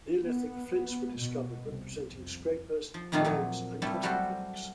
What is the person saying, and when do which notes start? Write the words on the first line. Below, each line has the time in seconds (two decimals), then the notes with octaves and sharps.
Neolithic flints were discovered, representing scrapers, blades and cutting flakes.
0.24 B3
1.18 B2
1.66 C2
2.10 F2
2.94 F3
3.12 F2 A#2 D#3 A3 F4 A5
3.25 F2 A#2 F#3
3.82 C3 G3 A3 E4 A4
4.03 F#3 G3 F#4 G4 A4 C5